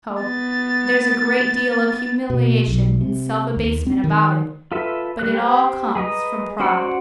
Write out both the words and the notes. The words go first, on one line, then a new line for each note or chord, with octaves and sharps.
Oh, there's a great deal of humiliation and self-abasement about it, but it all comes from pride....
B3 A6
B2
B1
C3
D#2
C4
D#3
F4 A4 B4 E5
G3 F#6
G4 C5 G5 G#5
G#4 B4 D#5 A#5
C#4 F#4 C5 D5 F#5